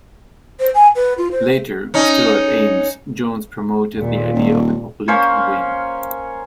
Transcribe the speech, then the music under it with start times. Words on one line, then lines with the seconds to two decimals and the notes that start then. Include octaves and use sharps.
Later, still at Ames, Jones promoted the idea of an oblique wing.
0.60 C5
0.75 G#5
0.96 B4
1.18 F4
1.32 C5
1.94 C#4 D#4
3.95 D#2 A#2
4.34 D#1
5.08 A#3 C#4 C5 C#5